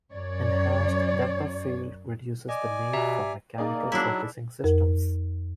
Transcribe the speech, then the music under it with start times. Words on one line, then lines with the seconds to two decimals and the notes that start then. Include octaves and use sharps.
Enhanced depth-of-field reduces the need for mechanical focusing systems.
0.13 F#2 C#5 D5
2.49 D5 D#5 G#5
2.93 B2 G4 E5 A#5
3.58 A#3 D#4 G#4 D5
3.92 F#3 D4 E4
4.64 F2 A#4